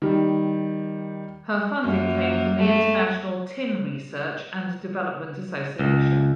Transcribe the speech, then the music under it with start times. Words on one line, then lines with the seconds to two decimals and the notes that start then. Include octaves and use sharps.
Her funding came from the International Tin Research and Development Association.
0.02 D#3 G3
1.84 F#2 A#3
2.59 A3
5.79 C#2